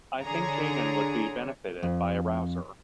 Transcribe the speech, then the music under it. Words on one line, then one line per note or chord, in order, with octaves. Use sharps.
I think Jayden would be benefited by a rouser.
D3 D4 G#4 C#5 A#5
F2